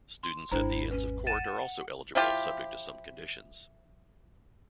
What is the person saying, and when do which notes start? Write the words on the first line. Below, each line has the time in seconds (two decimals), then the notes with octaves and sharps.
Students at the Inns of Court are also eligible subject to some conditions.
0.23 C6
0.51 G#1 E2 D4 E4 C5 A#5
0.91 C#4 B4
1.27 F#5 A6 D#7 E7
2.15 F3 E4 F4 G4